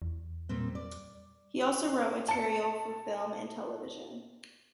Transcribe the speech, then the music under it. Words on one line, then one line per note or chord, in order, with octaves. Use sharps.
He also wrote material for film and television.
E2
A#2 G3 C4
D5
A5 C#7